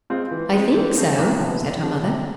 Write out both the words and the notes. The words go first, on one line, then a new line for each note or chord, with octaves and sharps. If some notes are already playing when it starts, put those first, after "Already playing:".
"I think so," said her mother.
G#3 C4 F4
E3
G#3 C4
E3
A3 C4 G#4
C2
C3 F3 B3
C3
F3 A3 C4 G#4
C3